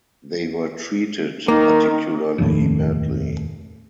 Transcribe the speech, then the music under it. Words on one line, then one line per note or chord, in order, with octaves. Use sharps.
They were treated particularly badly.
D#3 A#3
F1 D#2 A2